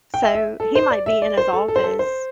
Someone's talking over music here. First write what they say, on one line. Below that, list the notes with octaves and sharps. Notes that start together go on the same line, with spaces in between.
so he might be in his office
G5
E5
E5
A4
C5
D5
E5
D5
C5
A4
A4
C5
A4
C5